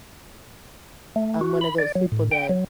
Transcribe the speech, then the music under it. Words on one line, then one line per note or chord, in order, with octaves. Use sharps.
I'm one of those people that
A3
F#4
B5
D5
F#3
A2
G5
F#3